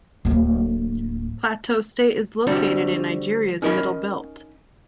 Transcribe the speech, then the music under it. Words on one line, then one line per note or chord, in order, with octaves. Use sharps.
Plateau State is located in Nigeria's middle belt.
D1 A#3
D3 G3 C4 D4 F#4
C#4 D#4 A#4 D#5 B5